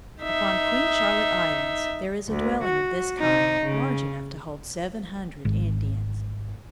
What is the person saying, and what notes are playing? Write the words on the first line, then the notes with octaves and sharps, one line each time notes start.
Upon Queen Charlotte Islands there is a dwelling of this kind large enough to hold seven hundred Indians.
D#4 E5
D2
F#4
C3 D#4
C#3
G#1